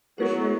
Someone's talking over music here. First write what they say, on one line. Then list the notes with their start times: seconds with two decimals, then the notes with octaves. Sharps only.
For sure.
0.18 F#3 B3 E4 G#4